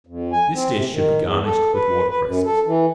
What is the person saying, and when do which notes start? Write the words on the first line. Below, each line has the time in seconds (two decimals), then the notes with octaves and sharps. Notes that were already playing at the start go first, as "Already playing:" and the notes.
This dish should be garnished with water-cresses.
0.07 F2
0.32 G#5
0.54 C4
0.72 C3
0.92 D#3
1.21 E2
1.45 A4
1.74 B4
2.09 B4
2.26 F#2
2.45 A4
2.66 E3